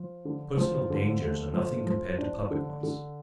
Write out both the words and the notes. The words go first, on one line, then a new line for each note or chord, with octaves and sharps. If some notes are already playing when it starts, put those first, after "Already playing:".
Personal dangers are nothing compared to public ones.
Already playing: F3
D3
F3
D3
A3
F3
F3
D4
D3
D3